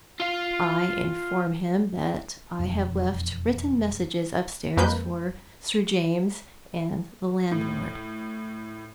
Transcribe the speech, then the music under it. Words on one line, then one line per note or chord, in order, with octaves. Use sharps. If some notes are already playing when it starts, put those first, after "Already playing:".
I inform him that I have left written messages upstairs for Sir James and the landlord.
F4 F5
E1 F2
F2 G#3 A#3 B4 G6
A2